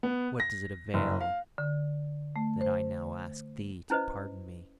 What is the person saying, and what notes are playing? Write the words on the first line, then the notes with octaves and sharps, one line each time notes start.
What does it avail that I now ask thee to pardon me?
B3
A#6
F#1
F5
D3
A3
C5
C#4 E4 B4 C5 D#5